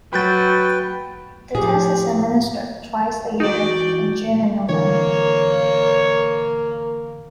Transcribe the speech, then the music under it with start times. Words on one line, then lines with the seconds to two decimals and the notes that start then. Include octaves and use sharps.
The test is administered twice a year in June and November.
0.13 F#3 B4 G5 B5 G6 A6
1.55 A2 F3 G4 G#4
3.40 E3 D#4 F#4 D5 G5
4.69 D3 E3 A#3 C#5